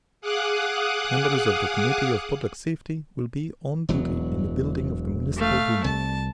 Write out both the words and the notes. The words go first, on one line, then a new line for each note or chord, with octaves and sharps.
Members of the Committee of Public Safety will be on duty in the building of the Municipal Duma.
G#4 F5 F#5 D6 D#6 F#6
E1 E2 F#3
A3 F5
C2 A5